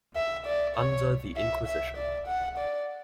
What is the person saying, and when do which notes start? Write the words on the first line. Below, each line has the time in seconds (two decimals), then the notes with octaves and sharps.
Under the Inquisition.
0.16 E5
0.46 D5
0.76 C#5
1.37 E5
1.67 E5
1.97 D5
2.27 F#5
2.58 D5